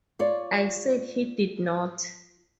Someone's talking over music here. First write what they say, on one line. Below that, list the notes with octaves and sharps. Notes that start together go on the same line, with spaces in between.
I said he did not.
F4 C#5 D5